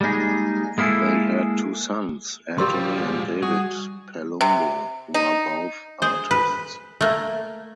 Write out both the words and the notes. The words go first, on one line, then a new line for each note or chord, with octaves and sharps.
They had two sons, Anthony and David Palumbo, who are both artists.
G3 G#3 A#3 D#4 G#4
G#3 A#3 E4 G#4 A4
F3 G3 C4 G4 A#4 D5 C6
G#3
G3 F#4 G#4 D#7
C3
D#4
G#4 C5
B4
A3 A#3